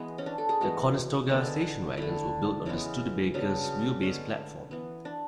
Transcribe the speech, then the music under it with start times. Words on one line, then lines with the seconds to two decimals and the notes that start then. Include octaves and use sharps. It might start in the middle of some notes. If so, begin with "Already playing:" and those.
The Conestoga station wagons were built on the Studebaker's wheelbase platform.
Already playing: E3 G#3 B3 E4
0.18 C#4
0.26 D4
0.38 A4
0.49 G#4
0.61 E3 G#3 B3 F#4
1.29 D3 G#3 B3
1.97 D3 A3 E4
2.65 C#3 E3 G#3 B3 E4
3.34 C#3 F#3 B3 D4
4.03 D3 G#3 B3 C#4
4.71 E3 B3
5.05 D4